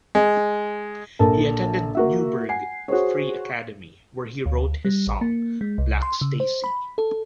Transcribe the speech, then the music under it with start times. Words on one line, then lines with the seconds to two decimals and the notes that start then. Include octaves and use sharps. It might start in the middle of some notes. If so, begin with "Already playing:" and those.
He attended Newburgh Free Academy, where he wrote his song "Black Stacey".
0.15 G#3
1.19 A#1 A4 A#4 A5
1.95 A#3 F#4 E5
2.49 F#5 G#5 C7
2.88 F#4 G#4 C5 C#5
4.46 D2
4.85 G3
5.07 A1
5.21 A#3
5.61 G#3
5.78 C2
6.03 C6
6.21 C#3
6.40 C5
6.64 B5
6.98 A4